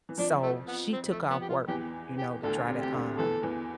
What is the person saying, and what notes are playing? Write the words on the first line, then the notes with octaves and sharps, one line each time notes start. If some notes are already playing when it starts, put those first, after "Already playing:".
So she took off work, you know, to try to, um,
E3
F2 F3 D4
A3
B3
C4
A3
B3
G4
F4
E2 E3 G4
G4
D2 D3 A4
C3
C3 G4
D2 D3
E2 E3 A4
E2 E3